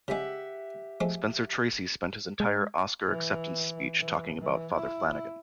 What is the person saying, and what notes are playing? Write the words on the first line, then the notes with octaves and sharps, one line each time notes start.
Spencer Tracy spent his entire Oscar acceptance speech talking about Father Flanagan.
C#3 G#3 G4 E5 F#5
F3 G#3 A3
G#3
E3
E3
E3
E4